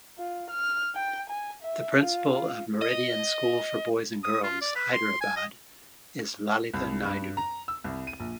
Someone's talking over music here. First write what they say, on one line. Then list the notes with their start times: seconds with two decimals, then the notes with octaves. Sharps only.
The Principal of Meridian School for Boys and Girls, Hyderabad is Lalitha Naidu.
0.18 F4
0.50 F6
0.95 G5
1.29 G#5
1.62 E5
2.01 F4
2.34 F4
2.82 D#5
4.23 D#6
4.43 F4
4.61 D5
4.76 B4
4.93 C6
5.21 G#5
5.36 D#5
6.74 C2
7.05 G2
7.37 A#5
7.68 E6
7.84 C2
8.07 D#7
8.20 A#1